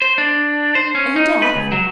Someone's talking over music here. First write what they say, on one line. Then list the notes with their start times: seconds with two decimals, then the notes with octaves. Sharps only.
"Are you deaf?"
0.02 C5
0.18 D4
0.75 C5
0.95 C#4
1.16 D#4
1.42 B4
1.56 C#2
1.72 F#3